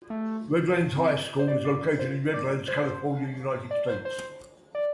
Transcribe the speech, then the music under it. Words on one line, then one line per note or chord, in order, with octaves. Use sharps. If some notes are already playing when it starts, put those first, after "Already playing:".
Redlands High School is located in Redlands, California, United States.
A3
C4
C5
D5
D5
C5
D5
C5
D5
C5
C5
D5